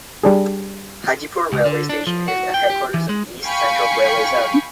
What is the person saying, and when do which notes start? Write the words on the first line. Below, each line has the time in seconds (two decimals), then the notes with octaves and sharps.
Hajipur railway station is the headquarters of East Central Railway Zone.
0.23 G3 D4 G#4
1.53 C#2
1.65 D3
1.89 D4
2.07 F3
2.28 F#4
2.54 G5
2.70 G4
2.94 E3
3.09 G#3
3.45 F5 G5 G#5 B5 C#6